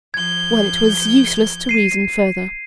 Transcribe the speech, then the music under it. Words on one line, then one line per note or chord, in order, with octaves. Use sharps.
Well, it was useless to reason further.
F3 G6 G#6
C7 D#7